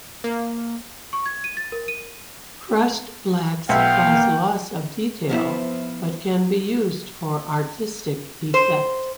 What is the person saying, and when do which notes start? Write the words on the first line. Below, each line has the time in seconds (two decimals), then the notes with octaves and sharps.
Crushed blacks cause loss of detail, but can be used for artistic effect.
0.24 A#3
1.13 C#6
1.26 G#6
1.44 D#7
1.57 A6
1.72 A#4
1.88 D#7
3.69 B1 E5 F5 G5
4.03 A#3
5.29 F3 B3 E4
8.54 C5